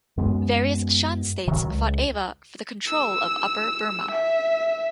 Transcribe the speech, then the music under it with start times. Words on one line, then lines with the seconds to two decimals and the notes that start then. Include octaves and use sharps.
Various Shan states fought Ava for the control of Upper Burma.
0.17 F#2 G#3 B3
1.47 C3 D#3 F#3
1.65 C#2
2.87 E6
4.11 E5